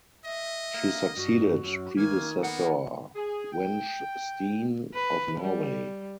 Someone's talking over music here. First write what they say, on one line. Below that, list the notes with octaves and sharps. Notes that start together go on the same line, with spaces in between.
She succeeded predecessor Wenche Steen of Norway.
D#5 E5
A#3
G2 F#4
F#2
D#3 A#3 G#5
A#3 B3 F#5
G#4
G5
B4
G3